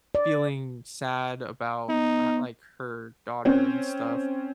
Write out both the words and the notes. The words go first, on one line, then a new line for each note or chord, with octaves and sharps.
feeling sad about h like, her daughter and stuff.
D5
B3 D#4
C4 C#4